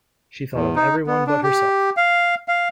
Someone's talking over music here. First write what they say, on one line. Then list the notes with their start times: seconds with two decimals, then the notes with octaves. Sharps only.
She thought of everyone but herself.
0.54 E2
0.76 D#4
1.07 B3
1.27 D4
1.43 G4
1.97 F5
2.48 F5